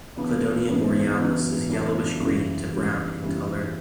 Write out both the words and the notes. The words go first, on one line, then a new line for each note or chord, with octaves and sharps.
Cladonia borealis is yellowish green to brown in color.
F#2 C#3 E3 B3 D4
F#2 C#3 E3 B3 D4
F#2 C#3 E3 B3 D4
F#2 C#3 E3 B3 D4
F#1 F#2 C#3 E3 G3
F#1 F#2 C#3 E3 G3
F#1 F#2 C#3 E3 G3